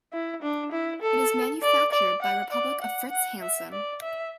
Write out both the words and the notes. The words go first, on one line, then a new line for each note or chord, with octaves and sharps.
It is manufactured by Republic of Fritz Hansen.
E4
D4
E4
A4
D5
D5
F#5
D5
F#5
F#5
E5
D5
E5